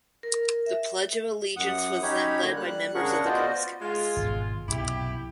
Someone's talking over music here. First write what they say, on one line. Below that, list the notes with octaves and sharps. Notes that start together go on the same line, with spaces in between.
The Pledge of Allegiance was then led by members of the Girl Scouts.
A#4
E5
F#2 F#5 D#6
C#4 D#4 G4 C#5 B5
D3 A#3
G3 F#6
C#3 D4 G#4 A#4 F#5 C#6
B3 F4 F#4 C5 D5 D#5
G#3 F4
G#1 B2
B1 F#2 C3 E4 G4